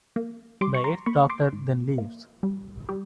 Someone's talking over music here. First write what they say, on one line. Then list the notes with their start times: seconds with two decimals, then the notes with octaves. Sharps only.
The Eighth Doctor then leaves.
0.16 A#3
0.61 G3 C6 D6
0.74 C#6
0.84 A#5 C6
1.06 A#3 B5 C#6
1.30 C6 D6
1.53 G#2
1.98 A#3
2.43 G3
2.89 G3